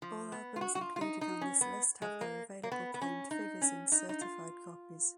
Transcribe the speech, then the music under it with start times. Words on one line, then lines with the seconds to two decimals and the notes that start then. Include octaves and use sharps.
All albums included on this list have their available claimed figures in certified copies.
0.02 F3
0.32 B3
0.56 F4
0.61 F#4
0.75 F#4
0.81 F4
0.96 F4
1.01 D#4
1.21 D#4
1.41 C#4
1.61 B3
2.02 G#3
2.21 A#3
2.63 A#3
2.72 B3
2.94 B3
3.02 C#4
3.31 D#4
3.61 C#4
3.92 D#4
4.09 D#4
4.21 F4